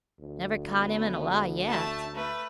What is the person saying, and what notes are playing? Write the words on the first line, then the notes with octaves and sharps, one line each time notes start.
Never caught him in a lie yet.
D2
B3
A3 A5
A3 B4